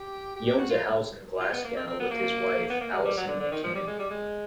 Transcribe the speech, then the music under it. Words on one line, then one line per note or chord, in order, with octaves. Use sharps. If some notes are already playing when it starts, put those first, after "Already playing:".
He owns a house in Glasgow with his wife, Alison McKinnon.
Already playing: G4
G4
G4
F#4
F4
F4
B3
A#3
C4
C4
B3
A#3
B3
A#3
G#3
G3
F#3
D3
D3
D#3
F3
G3
G#3
G3
G#3